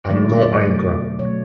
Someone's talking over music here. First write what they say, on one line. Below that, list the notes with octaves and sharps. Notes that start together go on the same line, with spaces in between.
I'm no oinker.
D3 F#3 A3 D5
D5
B2 F#3 A3 D5
B2 F#3 A3 C#5